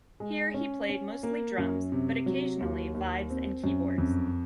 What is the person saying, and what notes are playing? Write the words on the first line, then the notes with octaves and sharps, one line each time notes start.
Here he played mostly drums, but occasionally vibes and keyboards.
G#3
C#4
C#4
A#3
F#2
C3
F#3
D#2
D#2
C4
F#2
F2